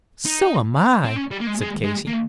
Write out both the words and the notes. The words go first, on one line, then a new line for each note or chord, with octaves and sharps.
"So am I," said Katy.
D#4
C4
C#4
G3
A#3
G#3
G#3
G#3
A#3